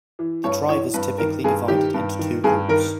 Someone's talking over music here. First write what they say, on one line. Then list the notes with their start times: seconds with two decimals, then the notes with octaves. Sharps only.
The drivers typically divided into two groups.
0.19 E3
0.44 G2 C#5
0.69 E3 C#5
0.94 G2 B4
1.18 D#3 A#4
1.44 G2 G#4
1.68 D#3 G4
1.94 G2
2.19 D#3
2.44 G2 G#4
2.68 D#3 A#4